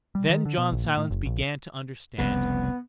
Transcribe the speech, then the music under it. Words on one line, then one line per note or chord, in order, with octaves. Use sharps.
Then John Silence began to understand.
G3
D#3
D3
B2
A#1
A#2
A2
F#1
A#1
F1 C2 C#3 B3